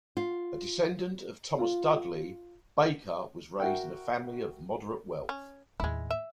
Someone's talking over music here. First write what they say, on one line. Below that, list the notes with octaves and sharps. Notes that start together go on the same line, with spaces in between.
A descendant of Thomas Dudley, Baker was raised in a family of moderate wealth.
F4
F4
F#4 A#4 E5 F#5 G5
C#4
D#2 A2 G#3 E4
E5